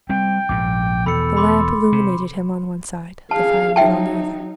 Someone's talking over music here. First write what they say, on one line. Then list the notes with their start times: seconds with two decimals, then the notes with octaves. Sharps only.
The lamp illuminated him on one side, the firelight on the other.
0.09 G3 C4 G5
0.49 A#1 G#2 D6
1.06 E2 B2 A4 B5 C#7
1.37 B5 C6 D6
1.92 C3
3.31 G#4 F5 A5
3.76 F#3 D#4 E5 G5 A5